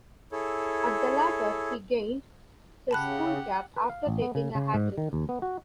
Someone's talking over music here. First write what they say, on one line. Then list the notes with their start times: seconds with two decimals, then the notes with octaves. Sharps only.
At the latter, he gained his school cap after taking a hat trick.
0.32 E4 G#4 A4 C#5
2.91 C#3 G4 F#5 A5 B5 F#6
3.76 B4
3.90 F5
4.07 A1
4.22 B3
4.35 C#3
4.55 C#3
4.74 G#2
4.98 D#3
5.13 D#2
5.29 B3
5.42 F#4